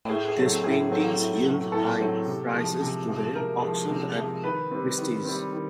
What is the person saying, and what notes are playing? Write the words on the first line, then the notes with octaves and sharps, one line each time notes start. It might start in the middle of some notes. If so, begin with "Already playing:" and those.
These paintings yield high prices today, auctioned at Christie's.
A2 G#4
G#4
F#3 A3 C4
A2 G#4
F#3 A3 C4
A2
F#3 A3 C4
A2 A4
F#3 A3 C4
C3
F3 G#3
C3
F3 G#3
C3 A#4
F3 G#3
C3
F3 G#3
D#3 B4
G3 C4
D#3
G3 C4
D#3